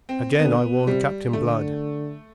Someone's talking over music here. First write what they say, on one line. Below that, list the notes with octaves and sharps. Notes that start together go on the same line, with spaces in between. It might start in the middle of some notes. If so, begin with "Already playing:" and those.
Again I warn Captain Blood.
C4
D3 B3
C3 G3
D3 A3